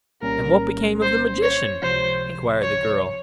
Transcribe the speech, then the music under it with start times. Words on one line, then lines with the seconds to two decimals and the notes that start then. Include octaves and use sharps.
"And what became of the Magician?" inquired the girl.
0.22 C2 A#2 G3 A#3 C#4 A#4
1.02 C5
1.43 C#5
1.83 C#2 C3 F3 C5
2.62 C#5